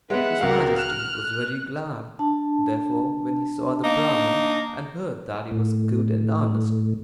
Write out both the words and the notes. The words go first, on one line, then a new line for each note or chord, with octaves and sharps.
His Majesty was very glad, therefore, when he saw the Brahman and heard that he was good and honest.
G#3 B3 B4 E5 F#5
C#2 F#4 A#4 F5
F6 F#6 E7
D4 A5
A#3 D#4
A2